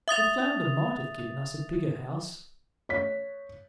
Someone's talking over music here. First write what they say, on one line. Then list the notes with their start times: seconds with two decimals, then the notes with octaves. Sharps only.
The flounder might have given us a bigger house.
0.08 E5 D#6 A6 F7
2.89 C#5 B6